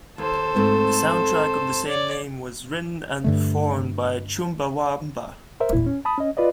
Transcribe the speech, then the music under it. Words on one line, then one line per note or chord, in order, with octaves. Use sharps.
The soundtrack of the same name was written and performed by Chumbawamba.
D#2 A4 C5
G#2 A3 C4
C#5 D5
G2 D3 A3
A#4 C5 E5
E2 A#2 E4
C#4
A5 B5 D#6
C#4 D#5
F4 B4 D5 D#5